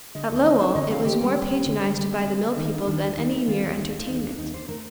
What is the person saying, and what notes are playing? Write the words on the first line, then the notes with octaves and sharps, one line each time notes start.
At Lowell it was more patronized by the mill-people than any mere entertainment.
D3 D#5
D2
D3 D#5
C4 C5
D3 D#5
C4 F5
C4 G4
G3 G4
G3
C4
D3
G3
G3
C4
C4
C4
D#3 D#4
D4
D#3 D4
D#2
D#3 D#4
A3
D#3 F4
D#2
D#2 D#4
A3
F4
D#2 D#4
A3 D4
D#2 D#4
D4 C5
A3 A#4